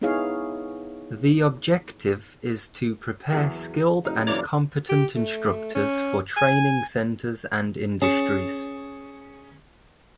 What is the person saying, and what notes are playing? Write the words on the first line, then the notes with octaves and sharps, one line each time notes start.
The objective is to prepare skilled and competent instructors for training centres and industries.
B3 D#4 E4 G#4 C#5 F5
E2 F#3 G#4
F#1 D#4 F5
F#1 E3 D4 F4 C#5 A#5 D6
G4
A3
C#4
G#5
C#4 G#4 A5 C#6